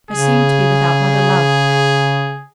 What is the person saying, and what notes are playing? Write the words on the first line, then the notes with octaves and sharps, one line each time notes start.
I seemed to be without mother-love.
C#3 G#4